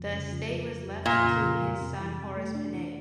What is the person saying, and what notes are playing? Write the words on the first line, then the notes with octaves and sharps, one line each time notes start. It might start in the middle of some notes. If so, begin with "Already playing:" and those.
The estate was left to his son, Horace Pinhey.
Already playing: F2 C#3 F3
C#3
F3
F3
F3
F2
F2 A#2
C#3
F3
F2
C3
E3
C3
A3
D4
E3